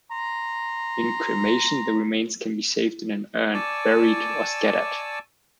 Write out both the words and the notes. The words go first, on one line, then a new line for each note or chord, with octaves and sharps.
In cremation, the remains can be saved in an urn, buried, or scattered.
A#5 C6
D5 G#5 A5 C#6 D6 E6